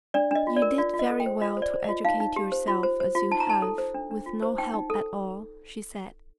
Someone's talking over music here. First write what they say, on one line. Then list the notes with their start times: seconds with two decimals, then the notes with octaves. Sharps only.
"You did very well to educate yourself as you have, with no help at all," she said.
0.14 D4 D5
0.31 D4 D#5
0.47 F4
0.57 D5
0.62 A#4
0.78 F4 D5
0.94 F4
0.99 D#5
1.10 A4
1.20 G5
1.26 C5
1.42 F4 D#5
1.57 C5
1.62 D5
1.74 C5
1.84 F4 D#5
2.05 D#4 F5
2.20 D#4
2.36 G4
2.52 C5
2.68 F4
2.83 C5
3.00 C5
3.15 F4
3.31 D#4 A5
3.40 A#5
3.47 D#4 A5
3.62 A4
3.78 C5
3.94 D4
4.11 D4
4.26 F4
4.42 C5
4.58 D#4 G5
4.74 D#4
4.90 A4